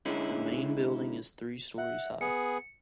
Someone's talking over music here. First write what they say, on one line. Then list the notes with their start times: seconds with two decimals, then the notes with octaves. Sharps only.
The main building is three stories high.
0.06 D3 G#3 C#4 D#4 E4
1.78 E5 F#5
2.21 B3 G#4 C#7